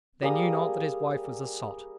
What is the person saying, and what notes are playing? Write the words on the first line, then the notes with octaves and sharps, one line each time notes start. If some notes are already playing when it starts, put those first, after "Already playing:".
They knew not that his wife was a sot.
G3 A#3 G#4 D#6